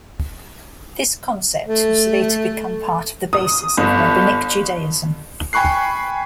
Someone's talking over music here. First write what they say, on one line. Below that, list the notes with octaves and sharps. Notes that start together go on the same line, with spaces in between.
This concept was later to become part of the basis of rabbinic Judaism.
A3
D#6
G1
G5 G#5 B5 C#6 F#6 C7